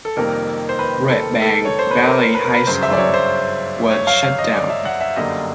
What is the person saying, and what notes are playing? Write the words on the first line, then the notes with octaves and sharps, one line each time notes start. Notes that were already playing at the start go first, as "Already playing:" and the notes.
Redbank Valley High School was shut down.
A4
F2 C3 D#3 G3 A#3 A#4
C5
B4
A4
A4
C#5
C5
B4
A#4
B4
A#4
B4
G1 F#2 C#3 C5
E5
D5
C#5
C5
C#5
F5
F5
D#5
D5
E5
F#5
E5
G1 F#2 D3 G3 A#3 D#5